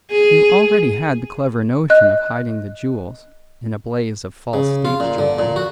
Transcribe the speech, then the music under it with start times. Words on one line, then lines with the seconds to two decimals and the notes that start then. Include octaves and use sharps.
You already had the clever notion of hiding the jewels in a blaze of false stage jewellery.
0.12 G#4
1.90 D#5 F#6
4.53 C#3
4.85 F4
5.00 A#2
5.18 D3
5.39 A#2
5.56 F#4